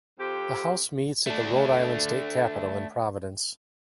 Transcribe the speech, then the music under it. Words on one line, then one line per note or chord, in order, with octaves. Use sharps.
The House meets at the Rhode Island State Capitol in Providence.
F2 C4 G4
A3 D4